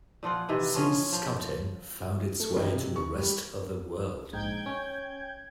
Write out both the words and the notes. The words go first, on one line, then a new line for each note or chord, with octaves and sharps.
Sea Scouting found its way to the rest of the world.
A#2 F3 F4 F#5
C3 D#3 E3
F3 C#4 F4
F3
A3
A1
C3
C#6
G3
A#1 G#2 D#4 G5 G6 G#6
C#4